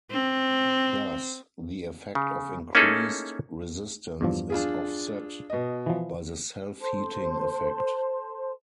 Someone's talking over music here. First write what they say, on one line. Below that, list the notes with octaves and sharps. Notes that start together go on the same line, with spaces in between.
Thus, the effect of increased resistance is offset by the self-heating effect.
C4
C#3
A#3 C#4 D#4 E4 G#4 A4
E2 G2 F3
D4 F4 G#4
B2 D#5
E3 F3
A4 C5 A5 C6